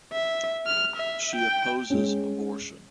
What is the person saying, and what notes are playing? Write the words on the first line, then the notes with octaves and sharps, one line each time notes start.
She opposes abortion.
E5
F6
E5
G5
G#3 C#4